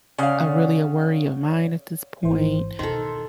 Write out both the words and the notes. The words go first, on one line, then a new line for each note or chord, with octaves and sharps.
a really a worry of mine at this point."
C#3 C#5 D5 F5 F#5
G#1 E3 C5
E2 B2 D#3 A4 C6